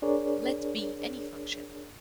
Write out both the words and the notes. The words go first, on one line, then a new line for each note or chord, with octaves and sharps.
Let be any function.
D4 G#4 A#4 C#5 D5